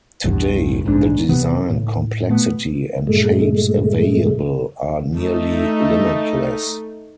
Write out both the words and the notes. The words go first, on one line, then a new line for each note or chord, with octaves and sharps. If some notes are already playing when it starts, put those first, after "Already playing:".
Today, the design complexity and shapes available are nearly limitless.
A#1 E2 G2
A#1 G#2 B2 D4
C3 E3 B3
A2
A#2 A3 B3
G2 A#2 G#3 A3
A3 D#4